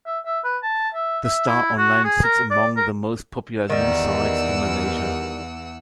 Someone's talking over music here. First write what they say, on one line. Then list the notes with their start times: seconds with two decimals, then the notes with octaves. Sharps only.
The Star Online sits among the most popular news sites in Malaysia.
0.06 E5
0.25 E5
0.44 B4
0.63 A5
0.94 E5
1.24 E5
1.47 E4
1.78 F#4
2.04 G#4
2.24 A#4
2.50 D5
2.77 A#4
3.70 E2 D#3 G3 F#5 E6